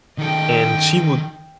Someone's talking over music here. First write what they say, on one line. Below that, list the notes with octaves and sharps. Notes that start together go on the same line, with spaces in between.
and she would
D#3 A4 D#5 G5